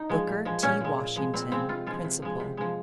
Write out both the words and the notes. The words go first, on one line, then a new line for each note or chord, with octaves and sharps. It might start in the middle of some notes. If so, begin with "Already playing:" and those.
Booker T. Washington, Principal.
Already playing: D#4
F3 G#3
A#2
F3 G#3
A#2 C#4
F3 G#3
A#2
F3 G#3
A#2 C4
F3 G#3 C4
C3 F4
F3 G#3 F4
C3
F3 G#3
C3
F3 G#3